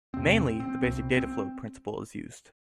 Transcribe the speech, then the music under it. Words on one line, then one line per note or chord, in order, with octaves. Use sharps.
Mainly, the basic dataflow principle is used.
E2 C3 C4
C4
C4
C2 B2 C4
C4